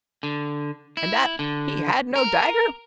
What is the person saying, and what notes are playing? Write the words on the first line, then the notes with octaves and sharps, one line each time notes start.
And that he had no dagger?
D3
E4
D3
A#4